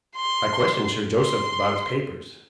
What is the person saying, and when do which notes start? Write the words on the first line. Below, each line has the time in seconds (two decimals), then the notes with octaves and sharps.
I questioned Sir Joseph about his papers.
0.16 C6
1.18 C6